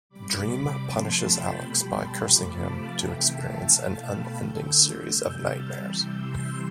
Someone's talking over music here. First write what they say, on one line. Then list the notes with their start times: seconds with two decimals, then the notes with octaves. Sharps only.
Dream punishes Alex by cursing him to experience an unending series of nightmares.
0.09 C3 G3 B5 D6
0.80 C3 F3 A3 A5 C6
1.16 G5 B5
1.51 B2 G3 G5 B5
1.87 A5 C6
2.23 C3 F3 A3 B5 D6
2.58 F5 A5
2.93 C3 E3 A3 E5 G5
3.29 F5 A5
3.64 B2 A3
4.00 G5 B5
4.35 D3 A3 E6 G6
5.07 C3 G3 E6 G6
5.42 F6 A6
5.77 C3 E3 G3 E6 G6
6.13 C6 E6